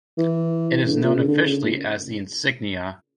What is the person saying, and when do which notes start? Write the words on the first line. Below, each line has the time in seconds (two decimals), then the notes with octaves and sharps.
It is known officially as the insignia.
0.18 E3
0.87 C#3
0.91 D3
1.03 A#2
1.15 C#3
1.28 D3
1.45 C#3
1.64 A#2